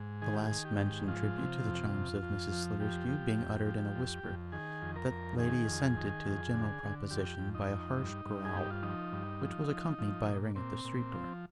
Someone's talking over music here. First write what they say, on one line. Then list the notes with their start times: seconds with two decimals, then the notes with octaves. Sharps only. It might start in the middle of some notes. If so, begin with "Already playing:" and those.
The last-mentioned tribute to the charms of Mrs Sliderskew being uttered in a whisper, that lady assented to the general proposition by a harsh growl, which was accompanied by a ring at the street-door.
Already playing: G#2
0.22 D#3 G#4
0.34 G4
0.47 D#3 G#4
0.65 G4
0.80 G#2
1.08 F3 F4
1.37 C3
1.66 F2
1.94 F2
2.22 F2
2.52 F3
2.80 F2 G4
3.09 F3
3.38 F2
3.66 F3
3.95 F2
4.23 F2
4.52 D#3 G#4
4.82 F2
4.96 A#4
5.10 F2
5.38 D#3 G#4
5.67 F2
5.97 D#3
6.26 F2
6.53 D3
6.83 D3
7.11 F2 G4
7.39 F2
7.55 D#4
7.68 F2
7.97 G2
8.25 G2
8.45 G#4
8.54 G2 G4
8.71 F4
8.83 F3 D#4
9.12 G2
9.41 F3
9.69 F3
9.98 F3
10.26 A#2
10.56 A#2 C4
10.84 A#2
11.14 F3